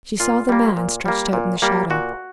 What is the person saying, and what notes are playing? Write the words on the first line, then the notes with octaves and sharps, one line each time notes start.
She saw the man stretched out in the shadow.
A#2 F4
G3 A#3
A#2
G3 A#3
A#2
G3 A#3
A#2 F#4